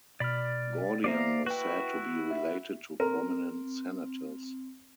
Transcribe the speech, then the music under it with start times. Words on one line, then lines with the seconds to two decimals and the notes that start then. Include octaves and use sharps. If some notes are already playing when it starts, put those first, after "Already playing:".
Gordian was said to be related to prominent senators.
0.20 B2 D5 B5 F6
1.04 A#3 C5 D5 E5 F5 A#5
1.46 E4 F#4 B4 G5
2.31 E5
3.00 C4 A#4